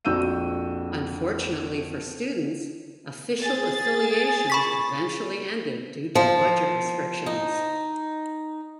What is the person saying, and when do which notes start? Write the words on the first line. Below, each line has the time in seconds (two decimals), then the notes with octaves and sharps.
Unfortunately for students, official affiliations eventually ended due to budget restrictions.
0.05 A#1 F2 F#4 E6 G6 D#7
3.39 G#4 A6
4.50 B5 C#6 B6
6.15 F3
7.26 D#4